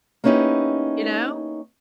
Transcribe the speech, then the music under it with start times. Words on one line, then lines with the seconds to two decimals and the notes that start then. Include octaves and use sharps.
You know?
0.24 A#3 B3 C#4 D#4 E4 G4